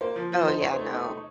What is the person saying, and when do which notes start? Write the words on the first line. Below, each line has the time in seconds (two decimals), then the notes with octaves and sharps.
Oh, yeah, no.
0.01 A#3 C5
0.16 F3
0.32 F3
0.47 D#4 C5
0.61 D#4 C#5
0.73 A3 C5
0.94 D#4
1.09 D#4